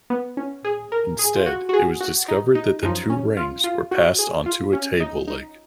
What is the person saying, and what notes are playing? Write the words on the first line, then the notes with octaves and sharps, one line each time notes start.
Instead, it was discovered that the two rings were passed onto a table leg.
B3
C#4
G#4
A#4
G#4
F4
F#4
F#4
G#4
F#4
D#4
D#4
F#2 F3 D#4
C#4
F4
F4
F#4
G#4
F4
C#4
D#4
D#4